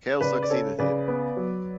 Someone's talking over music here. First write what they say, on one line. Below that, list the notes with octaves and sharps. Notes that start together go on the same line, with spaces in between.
Cal succeeded him.
C#3 B4 D5
D5
C#4 A4 C#5
C#3 B4 D5
B3
F#3